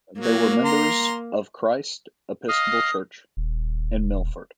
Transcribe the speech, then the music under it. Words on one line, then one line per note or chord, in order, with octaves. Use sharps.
They were members of Christ Episcopal Church in Milford.
F#3 A#3
A#5 C6
D#5 F5 D#6
D#1